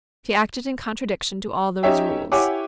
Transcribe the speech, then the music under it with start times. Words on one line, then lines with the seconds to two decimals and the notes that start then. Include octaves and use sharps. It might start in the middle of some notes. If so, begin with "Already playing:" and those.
She acted in contradiction to all those rules.
1.83 C#4 D#4 G4 C#5 E5 G5
2.32 E4 G4 C#5 F#5 G#5 D6